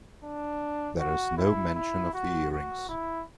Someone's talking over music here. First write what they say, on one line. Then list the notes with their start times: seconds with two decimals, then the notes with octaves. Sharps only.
There is no mention of the earrings.
0.24 D4
0.99 F#4
1.37 E4
1.75 E4
2.13 F#4
2.51 F#4
2.89 E4